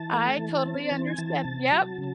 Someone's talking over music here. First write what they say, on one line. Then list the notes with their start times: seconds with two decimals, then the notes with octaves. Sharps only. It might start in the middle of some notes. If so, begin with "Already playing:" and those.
I totally understand yep.
Already playing: E3 A5
0.12 A3
0.38 E3
0.65 C4
0.91 E3
1.07 G#5
1.18 E3 A5
1.45 C3
1.72 F#3
1.98 C#3